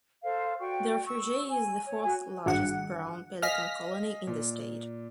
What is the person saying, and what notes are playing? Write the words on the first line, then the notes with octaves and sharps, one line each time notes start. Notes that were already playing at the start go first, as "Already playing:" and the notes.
The refuge is the fourth largest brown pelican colony in the state.
A4 C5 F5
F#4 D5 G5 C#6
C#6 E6
G#5
C#5
F#4 G#5
G#1 G2 F#5
D#5 F5 G#5 F6 A#6 B6
A#2